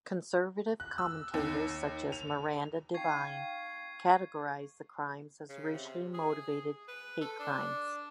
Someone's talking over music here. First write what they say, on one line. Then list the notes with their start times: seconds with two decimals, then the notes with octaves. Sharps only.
Conservative commentators such as Miranda Devine categorised the crimes as racially motivated hate crimes.
0.80 F#6
0.98 E6
1.34 D#2
2.12 F7
2.94 D#4 F5 G5 C#6 G#6 C7
5.49 C#3
5.73 C3
6.14 G#4
6.88 B4
7.21 A4
7.39 D4